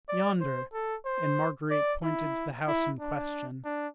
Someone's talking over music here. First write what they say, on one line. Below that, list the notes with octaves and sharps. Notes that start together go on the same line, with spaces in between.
"Yonder," and Marguerite pointed to the house in question.
D5
C5
A4
C5
D5
E4
E4
D4
D4